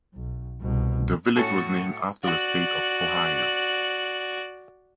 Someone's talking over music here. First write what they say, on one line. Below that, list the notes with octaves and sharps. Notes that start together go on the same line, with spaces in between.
The village was named after the state of Ohio.
B1
C2 B2
A2 C#4 F#4 A4 A6 C#7
F#4 D5